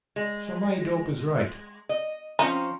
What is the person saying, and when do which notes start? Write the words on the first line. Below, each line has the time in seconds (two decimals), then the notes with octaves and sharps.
So my dope is right.
0.16 G#3
1.89 D#5
2.39 F3 C4 C#4 D#4